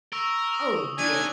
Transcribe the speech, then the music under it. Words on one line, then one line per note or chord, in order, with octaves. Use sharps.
Oh dear!
A#4 C#6 E6 F7
D#6 F7
D#2 D#3 D4 G#5